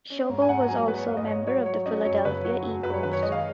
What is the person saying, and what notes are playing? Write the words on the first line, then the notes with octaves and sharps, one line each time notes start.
Schobel was also a member of the Philadelphia Eagles.
C#4
G#2
G#5
G#2 F#5
A#5
F#3 G#5
B3 B4
C#5
G#2 F5
D#5
G#2 C#5
F#3 C#5
F#3 C#5
C#4 D#5
F#2 C#5
C#3 B4
F#3 C#5
F#2
F#2 B4
C#5
D#3 B4
C#5
G#3 D#5
F5